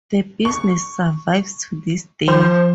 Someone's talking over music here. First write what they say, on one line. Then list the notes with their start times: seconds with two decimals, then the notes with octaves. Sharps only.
The business survives to this day.
0.45 C#6
2.28 F3 C5